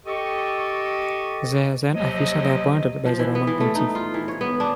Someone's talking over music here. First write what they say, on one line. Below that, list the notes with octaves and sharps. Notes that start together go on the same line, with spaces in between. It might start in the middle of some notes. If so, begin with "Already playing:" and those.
They are then officially appointed by the Roman Pontiff.
G4 A4 D#5 C#6
D#2 C3 F3 F#3 D#5
F3
E3
B3
E3
A3
D#4
F4
E3
C#5
B3
D4